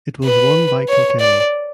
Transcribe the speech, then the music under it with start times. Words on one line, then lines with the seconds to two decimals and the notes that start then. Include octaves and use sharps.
It was won by Kilkenny.
0.25 B4
0.88 C#5
1.20 D5